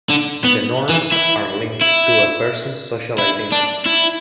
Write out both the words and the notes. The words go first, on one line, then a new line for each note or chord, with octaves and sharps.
The norms are linked to a person's social identities.
D3
B3
E3
E4
E4
E4
D4
E4